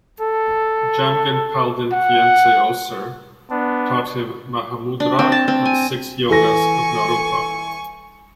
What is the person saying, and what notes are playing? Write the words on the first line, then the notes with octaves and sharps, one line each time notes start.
Jamgon Palden Kyentse Oser taught him Mahamudra and the Six Yogas of Naropa.
A4
F#5
B3 D4
D4
C4
A5
C4
G#5
E3 A4 G#5 C#6 A#6